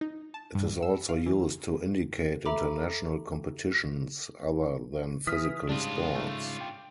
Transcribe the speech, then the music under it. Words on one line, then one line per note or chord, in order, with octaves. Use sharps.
It is also used to indicate international competitions other than physical sports.
D#4
A5
G2
E6
F5
E3
A4 E5 A#5 B5 D6
E3 D#6 F6 B6
G#2 C#3 G3 D4 F4
A3
G5